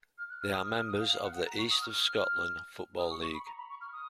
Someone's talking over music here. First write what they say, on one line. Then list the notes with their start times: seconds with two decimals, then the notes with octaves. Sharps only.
They are members of the East of Scotland Football League.
0.17 F6
0.29 F#6
0.40 F6
0.53 D#6
0.64 F6
0.75 F6
0.88 D#6
1.00 F5
1.11 F5
1.23 F#5
1.35 F#5
1.46 A#5
1.58 C#6
1.70 D#6
1.81 F6
1.93 F6
2.98 D#6
3.10 C#6
3.22 C#6
3.34 B5
3.46 A#5
3.57 B5
3.69 C#6
3.80 F6
3.92 D#6